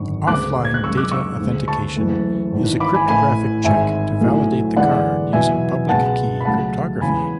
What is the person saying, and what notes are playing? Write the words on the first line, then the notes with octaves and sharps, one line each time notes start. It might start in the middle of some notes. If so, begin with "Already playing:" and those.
Offline data authentication is a cryptographic check to validate the card using public-key cryptography.
Already playing: G#1 F#2 D3 C#6
D2 C#3 G#3 B3 D6 F#6
G#6
F#6
F#2 C#3 G#3 C#6 E6
D6 F#6
C#6 E6
D2 C#3 G#3
A5 C#6
F#1 F#2 E3 A3
G#1 G#2 E3
B5 D6
G#5 B5
A1 A2 E3 A3 G#5 B5
G#1 G#2 G#3 E5 G#5
B1 A2 F#3 A3
E2 D3 G#3 B3 D5 F#5
E2 B2 F#3 B3 E5 G#5
C#2 B2 G#3 B3 F#5 A5
B5
C#2 C#3 F#3 A3 F#5 A5
E2 C#3 G#3 B3 G#5 B5